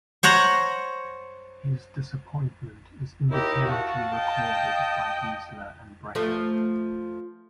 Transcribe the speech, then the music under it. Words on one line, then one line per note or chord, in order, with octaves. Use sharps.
His disappointment is independently recorded by Giesler and Breker.
C5 C#5 F#5 A#5
D#2 D#4 E4 G4
F#4 F5 A5
D#5 G5
F3 A3